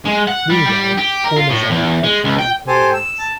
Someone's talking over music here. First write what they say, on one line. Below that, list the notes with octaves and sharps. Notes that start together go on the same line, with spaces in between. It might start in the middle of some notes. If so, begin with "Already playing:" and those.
Meanwhile, Hormuzan fled to Ram-Hormizd.
G#3
F#5
G3
G3
G4
A#4
F4
A2
E2
G#3
C#2
G5
G4 A4 C5 G#5
E6
A5